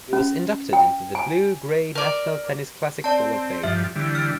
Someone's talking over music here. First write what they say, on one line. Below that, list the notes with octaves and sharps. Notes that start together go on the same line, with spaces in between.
He was inducted into the Blue Gray National Tennis Classic Hall of Fame.
C#4
G5
G#5
A#4 D5
C4 D5 A5
G2 F3 E5
D3 E3 G3
F6